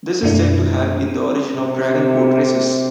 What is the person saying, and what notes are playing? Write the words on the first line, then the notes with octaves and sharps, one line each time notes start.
This is said to have been the origin of dragon boat races.
F#2 B2 A3 D4 E4
C3